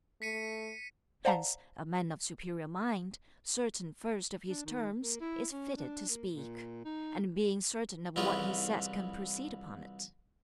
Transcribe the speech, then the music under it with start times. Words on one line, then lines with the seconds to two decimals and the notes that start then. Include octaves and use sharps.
Hence, a man of superior mind, certain first of his terms, is fitted to speak; and being certain of what he says can proceed upon it.
0.22 A3 B6 C#7 D#7
1.25 C5 D5 F5 F#5 A5 A#5
4.48 D4
4.65 D#3
5.02 A#3
5.20 E4
5.51 C#4
5.76 D4
6.09 A#3
6.33 A#2
6.85 D#4
8.16 C2 E3 B3 C#4 F4 G#4